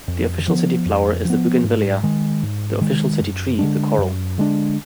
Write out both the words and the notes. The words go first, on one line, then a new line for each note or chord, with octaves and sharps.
The official city flower is the Bougainvillea, the official city tree the Coral.
F2
F3 B3
F2
F3 B3
G#2
D#3 G#3
G#2
D#3 G#3
F#2
D3 G#3 D4
F#2
D3 G#3 D4